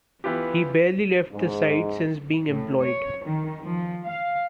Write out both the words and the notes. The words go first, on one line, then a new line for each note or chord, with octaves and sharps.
He barely left the site since being employed.
E3 B3 F4 G4
G#2
A2
C#5
D#3
F3
F5